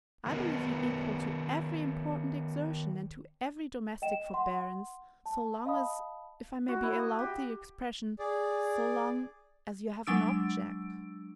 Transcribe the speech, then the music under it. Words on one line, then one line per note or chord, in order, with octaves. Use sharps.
I believe you equal to every important exertion, and to every domestic forbearance, so long as--if I may be allowed the expression--so long as you have an object.
D#3 F#3 B3 A#4 B4
D#5 G5 E7
F#5 C6
A5
D#5 F5 A5 B5 D#6
F#4
E4
D#6
G4
G#4 D5
F#3 G#3 D4 E6 D7